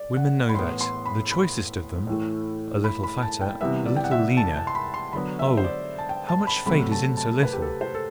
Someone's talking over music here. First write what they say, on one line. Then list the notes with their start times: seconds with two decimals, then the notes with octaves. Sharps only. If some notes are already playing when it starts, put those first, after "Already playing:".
Women know that, the choicest of them: a little fatter a little leaner-- oh, how much fate is in so little!
Already playing: D5
0.17 F#5
0.49 B5
0.54 A2 E3 B3 C6
0.81 C6
1.06 B5
1.31 B5
2.07 A2 E3 A3
2.84 B5
3.03 B5
3.22 A5
3.41 G5
3.61 C3 E3 G3 B3 E5
3.86 D5
3.96 G5
4.04 F#5
4.11 E5
4.37 A5
4.57 A5
4.67 C6
4.75 B5
4.94 C6
5.13 D3 F#3 B3 B5
5.39 E5
5.57 C5
5.64 D5
5.98 A5
6.09 G5
6.29 A5
6.47 B5
6.66 C3 F#3 A3 B5
6.92 A5
7.17 A5
7.43 B4
7.53 G4
7.62 A4
7.81 C5
7.95 A4